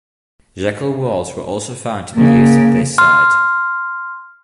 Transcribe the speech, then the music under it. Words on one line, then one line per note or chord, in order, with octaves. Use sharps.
Jacal walls were also found to be used at this site.
C#3 A#3
C6 F6